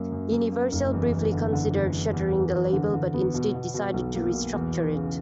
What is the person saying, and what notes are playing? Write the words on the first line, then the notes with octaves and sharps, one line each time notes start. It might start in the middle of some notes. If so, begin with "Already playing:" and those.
Universal briefly considered shuttering the label, but instead decided to restructure it.
Already playing: F#2 A#3
F#2
F#2
A#3
F#1
E2
E2
D3
D3
E2
E2
E2
E2
E2
D3
D3
B3
B2
B2
B2
B1
A#3
B2
E2
E2
C#3